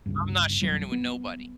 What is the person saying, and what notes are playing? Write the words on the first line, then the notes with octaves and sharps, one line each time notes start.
I'm not sharing it with nobody.
G1 C#2 G2
B1 F#2 F#3 G3
B3